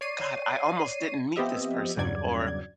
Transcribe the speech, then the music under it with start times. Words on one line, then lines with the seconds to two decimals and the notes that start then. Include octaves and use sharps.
"God, I almost didn't meet this person," or,
0.01 C#5 D5 C7 D#7
1.36 F3 B3 C4 G4 D#5 E5
1.97 E2 G2 C#3 F#3 D5 G#6